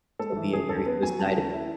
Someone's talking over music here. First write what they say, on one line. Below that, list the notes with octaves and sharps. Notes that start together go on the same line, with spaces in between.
it'll be a very cozy night i
G#3 A4
E3
C#3 G#4
D#2 A4
B3 B4
F#3 G#5
C#3 A5
D#2
E4